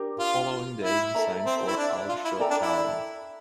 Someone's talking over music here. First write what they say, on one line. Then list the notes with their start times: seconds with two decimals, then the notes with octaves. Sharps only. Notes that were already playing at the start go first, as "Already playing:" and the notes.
The following day he signed for Aldershot Town.
Already playing: D4 G4 A#4
0.19 F4
0.82 E4
1.14 A4 E5 A#5
1.46 C4
1.67 E4
1.77 D4
2.09 F4
2.25 E4
2.39 A4 D5 G5 A#5
2.51 D4
2.61 E4